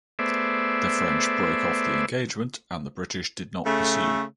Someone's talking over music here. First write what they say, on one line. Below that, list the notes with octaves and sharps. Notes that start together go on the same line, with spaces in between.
The French broke off the engagement and the British did not pursue.
A3 B3 G#4 C5 D5 E5
C#3 A3